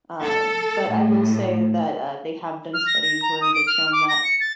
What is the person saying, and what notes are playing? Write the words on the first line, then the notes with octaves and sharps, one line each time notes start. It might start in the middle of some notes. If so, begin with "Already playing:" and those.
um, but I will say that, uh, they have done studies where they've shown that,
A4
A2
F6
A#6
A#6
A#5
D#6
D7
F6
D6
A#6
C#7
A6